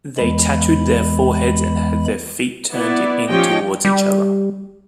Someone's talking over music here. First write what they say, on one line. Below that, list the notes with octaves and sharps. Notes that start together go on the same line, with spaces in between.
They tattooed their foreheads, and had their feet turned in towards each other.
E2 E3 G#3 B5
B3 E4 D5
F3 C#4 G4 D#5 G5
G3